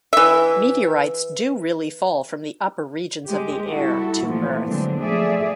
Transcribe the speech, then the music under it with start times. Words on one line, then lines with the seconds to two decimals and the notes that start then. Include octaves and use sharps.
Meteorites do really fall from the upper regions of the air to earth.
0.13 E3 E5
3.26 G#3 G4
3.68 G3 E4 F#4 A4
4.24 A#2 E3 F3 A3
4.65 D3 F#3 G#3 C4 D4
5.00 F3 A3 G#4 D5 E5